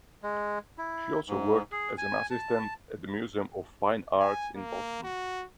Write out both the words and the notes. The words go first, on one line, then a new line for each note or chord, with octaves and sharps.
She also worked as an assistant at the Museum of Fine Arts in Boston.
G#3
E4
G#2
G#4
G#5
A5
G#5
A#3
F#4